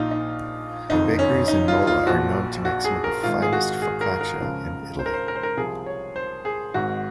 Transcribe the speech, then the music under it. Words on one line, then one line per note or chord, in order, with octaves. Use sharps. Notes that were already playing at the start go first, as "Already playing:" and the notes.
Bakeries in Mola are known to make some of the finest focaccia in Italy.
Already playing: A#1 A#2 F3 D#4 F4
D#4
F#1 F2 D#3 D#4
C#4
D#4
F4
F4
A#1 A#2 F3 F#4
F#4
G#4
A#4
G#1 G#2 D#3 F4
G#4
F#4
G#4
A#4
A#4
C#2 C#3 F3
C5
A#4
C5
A#4
C5
A#4
C2 C3 F3 G#4
C#5
C5
G#4
G#1 G#2 D#3 F#4